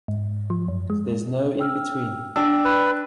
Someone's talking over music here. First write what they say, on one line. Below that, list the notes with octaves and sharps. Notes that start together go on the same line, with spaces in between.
There's no in between.
G#2
F3
F#2
G#3
G5 E6 F6
D4 D5 G5 E6
B4